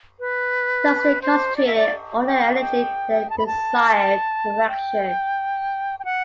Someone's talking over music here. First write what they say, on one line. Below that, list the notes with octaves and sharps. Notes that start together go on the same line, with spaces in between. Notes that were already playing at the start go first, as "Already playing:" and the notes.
Thus they concentrated all their energy in the desired direction.
B4
C5
D5
E5
D5
G5
F#5
G5
A5
B5
A5
G5
G5
F#5